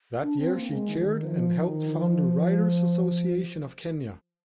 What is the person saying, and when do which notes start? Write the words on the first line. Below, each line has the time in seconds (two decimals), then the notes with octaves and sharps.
That year, she chaired and helped found the Writers' Association of Kenya.
0.21 D4
0.38 C4
0.55 A#3
0.72 G#3
0.89 D#3
1.22 F3
1.56 D#3
1.91 F3